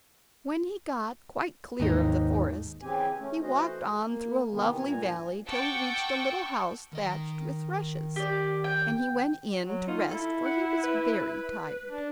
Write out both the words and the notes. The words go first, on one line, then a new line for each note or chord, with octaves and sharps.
When he got quite clear of the forest he walked on through a lovely valley till he reached a little house thatched with rushes, and he went in to rest for he was very tired.
D#2 G#2 D#4
C#3 E3 C4 G4 G#5
A3 C#4
E3 A3 F#4 C5 D#5
A#3
C3 D#3 E3 B3
G2 A#2 G#5 A#5
F#5 G5 A5 C#6 D6 E6
D#3 D#5
G4 D5
G5
F#3
D#4 F4
E4 A4
F#5
B4
D4